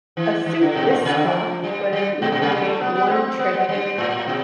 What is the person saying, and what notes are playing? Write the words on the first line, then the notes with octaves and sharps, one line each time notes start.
A suit is stopped when you can make one trick in it.
E3
E3
D3
B2
A2
C3
D3
F3
G3
G3
B2
B2
C3
G3
A3
B3
B3
C4
B3
G3
G3
A2
B2